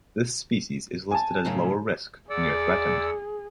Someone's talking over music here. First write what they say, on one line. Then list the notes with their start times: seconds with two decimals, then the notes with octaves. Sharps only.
This species is listed as lower risk, near threatened.
1.11 G#5 A5
1.45 F#2 A2 C#3
2.30 E2 G#4 D5 F#5 E6